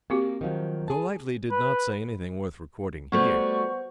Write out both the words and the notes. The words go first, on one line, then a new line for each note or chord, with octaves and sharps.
Golightly did not say anything worth recording here.
A#3 C4 F#4 G4
D#3 F3 F#3
G#4 A5
B4
G3 A3 B3 F#4 C5 C#6